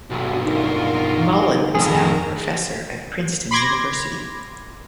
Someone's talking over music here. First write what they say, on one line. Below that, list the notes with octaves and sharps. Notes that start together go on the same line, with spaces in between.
Mullen is now a Professor at Princeton University.
B1 G2 F#4
D#4 F4 F#4 A#4
F2 A2 G#4 A5 A#5
B5 C6 D6 G#6 A#6